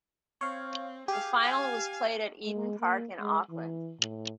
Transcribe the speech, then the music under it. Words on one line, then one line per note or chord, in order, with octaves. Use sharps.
The final was played at Eden Park in Auckland.
C4 C#5 F5
G4 G#4 F5
F5 G#5
G#3
A#3
G#3
E3
A2